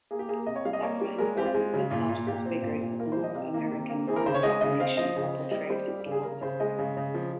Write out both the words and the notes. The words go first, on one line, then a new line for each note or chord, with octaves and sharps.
Several important mythological figures of the North American Wyandot nation are portrayed as dwarfs.
A#3 G#4
G4
A#3 G#4
A#4
C3 D#5
C#5
G3 F5
D#5
A#3 C#5
G3
G#3 A#4
C4 G4
F4
G#3
C#3
A#2 F4
A#2
A#2 G4
C4
A#2
A#2
A#3 A#4
C5
G3
D#5
C3 F5
A#3
C3
A#3
C4 G#4
A#4
C#3 C5
C#5
G#3 D#5
C#3 D#5
C4 F5
F3 D#5
C#3
C4
G3 D#5
G3 C5
G3 G4
G4
C#3
G#4
C#3 A#4
C#3 C5
G#3 D#5
C#3
C#3
F3